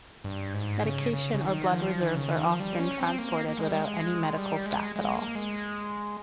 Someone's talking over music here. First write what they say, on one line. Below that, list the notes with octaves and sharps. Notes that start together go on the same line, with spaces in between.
Medication or blood reserves are often transported without any medical staff at all.
G2
G#2
C#3
C#3
C#3
D#3
F3
D#3
C#3
D#3
F3
G3
C#4
C4
A#3
A#3
G#3
G3
G#3
G3
G#3
G#3
A#3
G#3